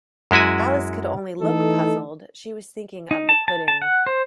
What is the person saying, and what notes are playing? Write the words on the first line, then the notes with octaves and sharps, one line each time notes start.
Alice could only look puzzled: she was thinking of the pudding.
F#2 G#3 E4 F#4 G#5
E3 A3 D#4 A4
D#4
A5
A5
A5
F#5
C5